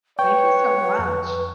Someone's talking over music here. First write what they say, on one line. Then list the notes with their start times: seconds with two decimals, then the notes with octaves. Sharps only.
thank you so much.
0.19 B4 C#5 G5 C#6
0.99 F2